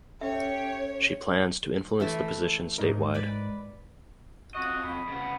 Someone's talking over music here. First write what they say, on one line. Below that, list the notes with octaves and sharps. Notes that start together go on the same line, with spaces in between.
She plans to influence the position statewide.
C#4 G4 A4 C#5 E5
E3 A3 E5
G#2 D#4 A#4
B4 D5
F2 F#4 D#5
B5
C#3 B3